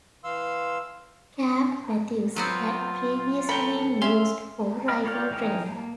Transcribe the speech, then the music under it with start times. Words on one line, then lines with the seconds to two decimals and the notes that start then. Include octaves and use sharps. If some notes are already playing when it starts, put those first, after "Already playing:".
Camp Matthews had previously been used for rifle training.
0.24 E3 F5 C6 E6
2.36 F#3 B3 C4 F4
3.49 A#3 A4 G5 B5
4.02 C#4 E5 F5 C6
4.88 C4 D#5 G5 F6
5.05 F4 C#5 D5 G5 F6
5.31 E3 G#3 D#4 G5 F6
5.67 A#3